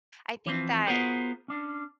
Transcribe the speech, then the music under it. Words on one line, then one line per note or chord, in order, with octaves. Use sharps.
I think that
E3 F3 C4
B3 F4 F#4 G#4 A#4 C5
C#4 D4